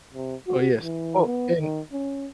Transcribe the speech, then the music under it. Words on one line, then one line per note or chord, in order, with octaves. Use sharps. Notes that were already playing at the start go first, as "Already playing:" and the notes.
Oh, yes. Oh, and,
C3
F#4
E3
B3
D#3
C#4